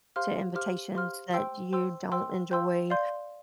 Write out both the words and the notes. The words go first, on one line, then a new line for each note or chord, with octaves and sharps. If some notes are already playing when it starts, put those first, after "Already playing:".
to invitations that you don't enjoy
G4 C5 F5 C6 F6
G4 C5 F5 C6 F6
G4 C5 F5 C6 F6
C5 G5 C6 E6
C5 G5 C6 E6
C5 G5 C6 E6
C5 G5 C6 E6
D5 F5 C6 G6